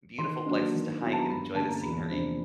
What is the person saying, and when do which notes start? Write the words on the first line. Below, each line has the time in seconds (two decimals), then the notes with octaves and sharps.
beautiful places to hike and enjoy the scenery,
0.18 D#3 C6
0.46 F#3 A#3 D4
0.74 D#3
1.01 F#3 B3 E4
1.12 A5
1.20 A#5
1.29 G2 B5
1.55 D3 G3 A#3 C#4 A5
1.69 A#5
1.82 E2 B5
2.09 C3 F3 A#3 D4